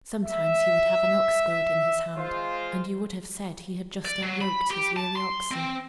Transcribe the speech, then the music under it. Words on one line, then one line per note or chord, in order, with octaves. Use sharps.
Sometimes he would have an ox-goad in his hand, and you would have said he had just unyoked his weary oxen.
E5
G#3 F4 C5
D5
F#3
B5
G4
A5
C6
C4